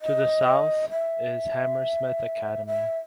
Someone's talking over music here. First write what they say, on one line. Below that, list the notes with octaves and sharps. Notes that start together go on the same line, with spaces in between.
To the south is Hammersmith Academy.
D#5
E5
E5